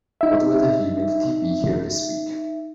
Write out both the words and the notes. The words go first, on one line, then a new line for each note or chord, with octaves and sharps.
What will the humidity be here this week?
D#4 E5